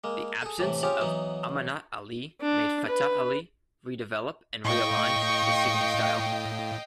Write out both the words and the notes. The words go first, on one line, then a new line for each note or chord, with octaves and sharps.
The absence of Amanat Ali made Fateh Ali redevelop and re-align his singing style.
G#3 A#3
G#4 A4
A2 C3 E3 A3
C4 C#4 F4 G4 G#4 C#5
E3 F#3 B3 D#4
D4
B4
A2 D#5 F5 G5 C#6